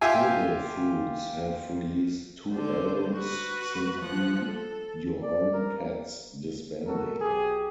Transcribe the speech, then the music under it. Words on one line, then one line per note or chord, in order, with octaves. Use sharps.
Turbo Fruits have released two albums since Be Your Own Pet's disbanding.
F4 G4 E5 G#5
D3 C5
F#4 B4
F3 F#5
A4
D5
A#4
A#3
G#3 F#4 A4 A#4
B1 G4 G#4